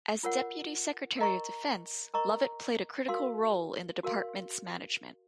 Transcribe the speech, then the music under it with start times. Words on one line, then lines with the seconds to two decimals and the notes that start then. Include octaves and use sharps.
As deputy secretary of defense, Lovett played a critical role in the department's management.
0.23 F4 A#4 C#5 F#5
1.18 A#4 D#5 A#5 C#6
2.14 A#4 D#5 A#5 C#6
3.08 F#4 A#4 F5 C6
4.03 F#4 A#4 F5 C6